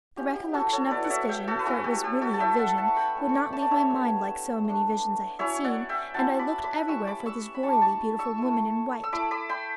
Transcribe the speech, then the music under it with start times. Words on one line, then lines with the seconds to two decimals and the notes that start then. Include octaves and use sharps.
The recollection of this vision, for it was really a vision, would not leave my mind like so many visions I had seen, and I looked everywhere for this royally beautiful woman in white.
0.16 F#3 C#4 E4 G4
0.35 G4
0.54 F#4 A4
0.73 A4 C#5
0.91 F#3 B3 E4 B4 D5
1.04 F#5
1.10 C#5 E5
1.29 E5 G5
1.48 F#4 A4
1.59 B4
1.65 F#3 C#4 E4 F#4 A4
1.84 G4
2.04 G4
2.21 F#4 A4
2.33 A5
2.40 A3 E4 E5 G5
2.59 F#5 A5
2.77 F#5 A5
2.88 C#6
2.97 G5 B5
3.15 A3 C#4 E4
3.29 C#6
3.34 B5 D6
3.53 A5 C#6
3.62 D5
3.71 C#5 E5
3.90 G3 B3 D4
4.65 A3 D4
5.39 F#3 C#4 E4 C#5 E5
5.64 D5 F#5
5.89 E5 G5
6.14 F#3 C#4 E4 F#5 A5
6.39 B5 D6
6.64 B5 D6
6.88 G3 C#4 E4 C#6 E6
7.07 B5 D6
7.26 C#6 E6
7.54 B5
7.63 G3 D4 A5 C#6
7.73 D6
7.82 A5 C#6
8.19 C#6 E6
8.38 A3 E4
9.04 E6
9.12 A3 E4 B5 D6
9.31 B5 D6
9.49 G5 B5